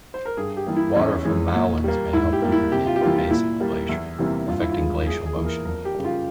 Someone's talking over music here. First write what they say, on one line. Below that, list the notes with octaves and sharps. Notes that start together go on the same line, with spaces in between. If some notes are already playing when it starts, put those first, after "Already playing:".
Water from moulins may help lubricate the base of the glacier, affecting glacial motion.
C5
A#4
G2 G#4
G4
E3 G3 A#3
E4
E2 C#4
E3 G#3
A#2
G3 A#3
G#2 E4
G4
G3 A#3
E4
C3 G4
F4
G4
E3 G3 A#3 F4
F4
A#2 E4
G3 A#3
E2
C3 E3 G3 A#3
G2 F4
E4
F4
E3 G#3
E2 G#4
G#4
E3 A#3
A#4
F2 A#4
G4
C#3 G3
F4